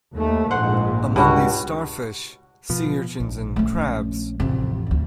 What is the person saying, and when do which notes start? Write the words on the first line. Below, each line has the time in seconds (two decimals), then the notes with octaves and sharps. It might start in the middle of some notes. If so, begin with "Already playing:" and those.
Among these starfish, sea urchins and crabs.
0.14 D#2 A3
0.51 A#1 G#2 C5 F#5
1.16 C#2 G2 B2 F#4
2.70 B2 F3
3.20 A#1
3.56 A3 C#4
4.40 A1 F2 C3 F3
4.87 D1 D2